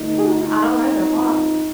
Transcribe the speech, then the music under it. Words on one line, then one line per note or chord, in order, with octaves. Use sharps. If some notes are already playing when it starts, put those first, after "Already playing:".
Hmm, I don't know, they're blocked.
Already playing: G2 D3 A3 D#4
D#4
G2 F3 C4